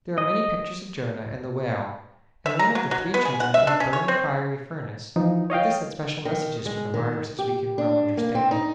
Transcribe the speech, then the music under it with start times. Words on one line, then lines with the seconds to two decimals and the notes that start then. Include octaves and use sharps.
There are many pictures of Jonah and the whale, and one of the three children in the burning fiery furnace, for this had special messages for the martyrs as we can well understand.
0.18 D#5
2.46 E5
2.59 A#5
2.75 F#3
2.91 F#3
3.14 B3
3.25 G#4
3.40 F#5
3.54 E5
3.67 D4
3.80 C#4
3.93 C#5
4.08 C4
5.16 E3 F3 D#4
5.50 C#5 D#5 F5 G5
6.25 D#3
6.66 G#3
6.94 D#3
7.39 G4
7.78 D4
8.17 A#3
8.35 C4
8.51 D#4